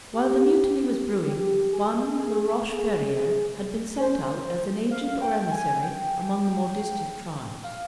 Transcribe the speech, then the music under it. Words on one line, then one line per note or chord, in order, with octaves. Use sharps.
While the mutiny was brewing, one La Roche Ferriere had been sent out as an agent or emissary among the more distant tribes.
G4
G4
G#4
G#4
C5
F5
G5
G#5
G5
F5